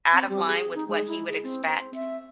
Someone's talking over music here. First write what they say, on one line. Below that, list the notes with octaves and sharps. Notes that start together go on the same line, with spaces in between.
out of line with what he would expect.
C4
G3
G#4
D#4
G#3
E4
G#4
C4
C4
E5